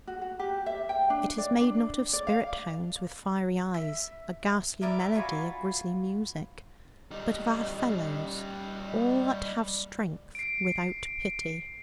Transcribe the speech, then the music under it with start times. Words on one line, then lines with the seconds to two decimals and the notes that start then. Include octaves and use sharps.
It is made not of spirit hounds with fiery eyes--a ghastly 'Melody,' a grisly 'Music'--, but of our fellows, all that have strength without pity.
0.07 F#4
0.21 F#4
0.39 G4
0.66 E5
0.89 G5
1.10 D4
1.38 D5
1.61 D4
2.13 D5
2.27 F5
3.74 E5
4.81 E4 A#4 D5 E5
5.15 F4 F#4 G#5 B5
7.11 G3 D#4
10.35 C7 D7